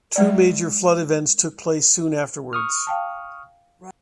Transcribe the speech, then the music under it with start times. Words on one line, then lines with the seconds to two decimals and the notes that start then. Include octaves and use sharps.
Two major flood events took place soon afterwards.
0.16 F#3 G#3 D5
2.53 C#6 D#6 F6
2.87 F5 G5 A5